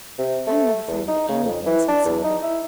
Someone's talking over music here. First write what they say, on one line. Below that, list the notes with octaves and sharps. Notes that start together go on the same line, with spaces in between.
"I'm not afraid of anything," said Sonya.
C3
A3
E2
D#4
C#3
F2
E3
D4
E2
D#4
E4